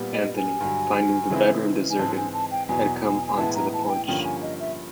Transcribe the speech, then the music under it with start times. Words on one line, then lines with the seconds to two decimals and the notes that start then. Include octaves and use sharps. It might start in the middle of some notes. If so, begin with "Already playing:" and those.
Anthony, finding the bedroom deserted, had come onto the porch.
Already playing: A#2 G3 B3
0.14 D#5
0.37 G#5
0.60 G2 D3 F#3
1.30 C#3 E3 G#3 C4 E4
1.91 G#5
1.99 G#2 E3 G#3 C4 A5
2.17 G#5
2.33 A5
2.51 G5
2.69 E2 B2 F#3 G#5
3.04 G#5
3.27 G#5
3.38 A2 E3 G#3 B3 E4 A5
3.55 A#5
3.74 A5
3.85 G#5
3.90 G5
4.08 G2 D3 F3 A#3 C#4 G5
4.25 G#5
4.42 D#5
4.60 E5